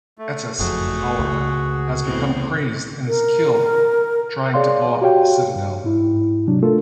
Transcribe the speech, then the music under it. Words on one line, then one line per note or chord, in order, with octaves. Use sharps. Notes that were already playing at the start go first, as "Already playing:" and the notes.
Ettis, however, has become crazed and is killed trying to blow up the Citadel.
A3
F#1 F2 A3 F#4 G#4
C#2
E2 A2 C4
A#4
G#4 C#5 D5 F5 C6
F#4 G4 C#5 F5 G5
G2
G#2 E4
C3 F#3 D4
A3 D4 F4 A4 A#4